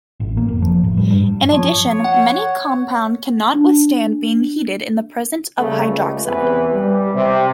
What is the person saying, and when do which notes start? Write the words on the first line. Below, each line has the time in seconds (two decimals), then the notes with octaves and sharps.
In addition, many compound can not withstand being heated in the presence of hydroxide.
0.20 A1
0.37 A#3
0.49 F1
0.62 F3
0.83 A2
0.97 G3
1.10 G2
1.52 F3 C#5
2.04 F#5
3.54 D4
5.58 C#3 G3 A3
5.88 C#2
6.25 E2 C3 E3 B4
6.74 G3
7.14 C3